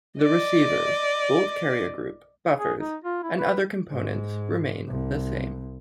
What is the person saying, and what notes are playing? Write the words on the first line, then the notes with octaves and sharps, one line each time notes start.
The receivers, bolt carrier group, buffers, and other components remain the same.
D5 D#5
G#4
D#4
F4
E4
B4
G#2
C2